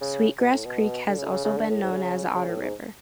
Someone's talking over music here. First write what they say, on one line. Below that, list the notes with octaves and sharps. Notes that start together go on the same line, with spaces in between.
Sweet Grass Creek has also been known as: Otter River.
C#3
B2
A2
B2
D3
C#3
D3
C#3
C#3
D3
A2
G#2
D3
C#3
C#3
A2
G#2